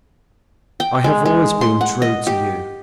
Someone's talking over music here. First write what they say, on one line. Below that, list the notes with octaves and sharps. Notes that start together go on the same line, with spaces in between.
I have always been true to you.
G5
G#3
G#3
C6
F#5
D#5
G4